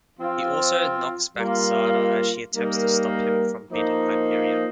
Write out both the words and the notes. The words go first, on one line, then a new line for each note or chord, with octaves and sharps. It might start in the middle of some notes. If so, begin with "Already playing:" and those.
He also knocks back Zarda as she attempts to stop him from beating Hyperion.
F3 C4 F4
G3 A#3 F4 A#4
G3 A#3 D#4 A#4
F3 A#3 D#4